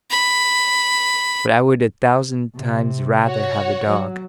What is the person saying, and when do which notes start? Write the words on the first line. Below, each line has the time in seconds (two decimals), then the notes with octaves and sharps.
"But I would a thousand times rather have a dog."
0.11 B5
2.55 C3
3.25 F#4 C#5
3.86 F#3